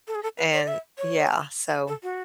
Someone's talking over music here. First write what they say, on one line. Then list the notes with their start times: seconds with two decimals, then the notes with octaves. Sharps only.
And yeah, so.
0.08 A4
0.15 G#4
0.23 A4
0.38 B4
0.53 C#5
0.60 D5
0.68 E5
0.98 C#5
1.88 A4
2.03 F#4